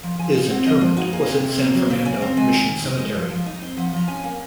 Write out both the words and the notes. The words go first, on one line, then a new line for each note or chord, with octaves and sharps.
His interment was at San Fernando Mission Cemetery.
F3 A#5
F3 G#5
D#4
C4 F#5
F3 D#5
F3 F4
D#4 F#4
A#3 G#4
C3
C3
A#3
F#3
C#3 C5
C#3 G#5
C4 A#5
G#3 G#5
D#3
D#3
D#4
G#3
F3
F3
D#4
C4
F3 F#5
F3 A#5
C#4 G#5
A#3